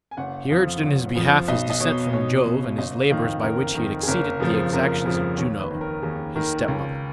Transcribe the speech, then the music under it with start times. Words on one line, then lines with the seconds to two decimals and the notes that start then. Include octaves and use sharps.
He urged in his behalf his descent from Jove and his labors by which he had exceeded the exactions of Juno, his stepmother.
0.11 G#5
0.17 F#1 F#5
0.50 F2 F3 F5
0.83 F#1
1.15 F2 F3
1.48 B1 D#5
1.70 D#5
1.80 B2 C#5
2.13 B1 C#5
2.45 B2
2.78 F#1 D#5
3.10 F2 D#3 F5
3.43 F#1 A#4
3.75 F2 D#3
4.03 G#4
4.08 F#1 A#4
4.40 F2 C#3 F3
4.73 F#1 A#4
5.05 F2 C#3 F3 A#4
5.38 D#2 C#5
5.60 B4
5.71 D#3
5.81 A#4
6.03 D#2 G#4
6.35 D#3 A#4
6.68 C#2